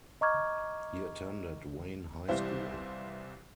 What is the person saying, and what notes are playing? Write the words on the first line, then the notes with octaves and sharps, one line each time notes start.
He attended Wayne High School.
D#5 A#5 C#6 D6 F6 G#6
C2 E3 G3 E4 C5 F5